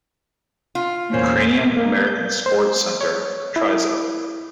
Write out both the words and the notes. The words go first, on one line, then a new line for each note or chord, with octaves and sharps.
Ukrainian American Sports Centre - Tryzub.
F4
E2 A#2 A#3 C#4 C5
A#3
G6
C5
C#5
E4